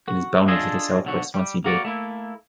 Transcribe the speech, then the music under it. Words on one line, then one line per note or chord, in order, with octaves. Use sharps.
It is bounded to the south by Swansea Bay.
F#4
D4 F4 G#4 A4 D#5
B1 D3 F#4
G3
A#3 F#4 D5
A3 A#3 E4